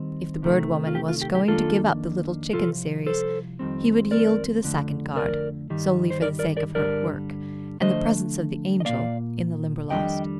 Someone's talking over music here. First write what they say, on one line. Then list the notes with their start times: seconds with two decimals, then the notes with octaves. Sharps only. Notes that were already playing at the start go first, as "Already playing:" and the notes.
If the Bird Woman was going to give up the Little Chicken series, he would yield to the second guard, solely for the sake of her work and the presence of the Angel in the Limberlost.
Already playing: D#2 D#3 G3 C4
0.42 F2 C3 D#3 A3
0.87 F4
0.95 G4
1.09 F4
1.21 G4
1.35 G4
1.48 F2 D#3 A#3 D4 F4 A4
2.53 A#2 F3 F4 A4
2.58 C2
3.06 A4 C5
3.59 F2 D#3 G3 C4
4.11 A#4 D5
4.64 F2 D3 A3
5.16 A#4 D5
5.70 G2 D#3 G3
6.10 C5
6.22 A#4 D5
6.39 A#4 D5
6.57 A#4 D5
6.75 G2 D3 G3 A#4 D5
7.80 D3 F3 A3 C5 D#5
8.80 D#5
8.85 A#2 F3 A#3 D5 F5
9.90 F2 D#3 G3 D4 D#5 G5